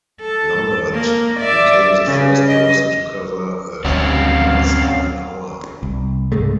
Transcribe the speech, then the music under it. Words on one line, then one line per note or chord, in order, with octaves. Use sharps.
Lambert became the first person to cover a hundred miles in an hour.
A4
A#3
D5 E5
C#3
D#5
D2 C4 C#4 F#4 F5
C2
C#2 G#2 G#3 A3